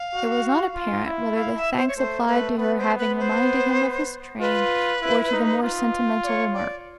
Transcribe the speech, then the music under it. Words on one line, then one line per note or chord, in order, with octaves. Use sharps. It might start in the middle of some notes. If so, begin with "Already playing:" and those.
It was not apparent whether the thanks applied to her having reminded him of his train or to the more sentimental remark.
Already playing: F5
F#4
F4
E4
E4 F5
E5
C5
C#5
A3 C5
A3 B4
B3 B4
C5
B4
C5
F4 B4
E4
D#4
F4
D5
C#5
D5